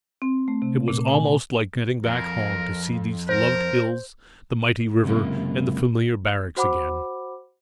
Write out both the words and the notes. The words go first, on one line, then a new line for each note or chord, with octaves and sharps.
It was almost like getting back home, to see these loved hills, the mighty river, and the familiar barracks again.
C4
A3
C3
A#2
G#5
F2 A#4
A#4 C5
C#2 F#2 C3 A#3 E4
F#4 C5 F#5 B5 D6